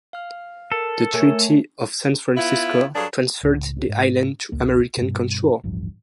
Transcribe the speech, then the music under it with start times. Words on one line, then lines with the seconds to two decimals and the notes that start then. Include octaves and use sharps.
The Treaty of San Francisco transferred the island to American control.
0.13 F5 F6
0.72 A4 A#4
1.14 A3 A#4 C#5 G#5 A5
2.37 B3 E4 F4
2.95 G2 F#3 D4 G#4 A4 F5
3.43 C#2 A2
3.89 G#2
4.52 G1 C#2 A#3
4.97 G2 B2
5.64 D1 A1 G2 F3